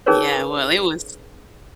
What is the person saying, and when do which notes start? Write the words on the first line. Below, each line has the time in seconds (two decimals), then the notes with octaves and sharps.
Yeah, well, it was
0.06 C#4 D#4 G#4 A#4 B4 C#5